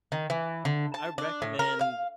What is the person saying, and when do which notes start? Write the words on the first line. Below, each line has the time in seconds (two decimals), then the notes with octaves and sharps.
I recommend,
0.12 D#3
0.30 E3
0.65 D3
0.94 A5
1.18 D4
1.42 A2
1.59 A#4
1.81 F5